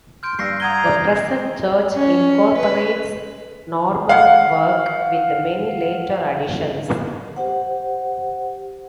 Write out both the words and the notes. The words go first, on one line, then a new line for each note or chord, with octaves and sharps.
The present church incorporates Norman work, with many later additions.
C6 F6 G6 D7
G2 F5 E6 A#6 C7
F#5 A#5 D#6 G#6 D#7 G7
D5
C#4
B4
F5 F#5
G4 C5 F#5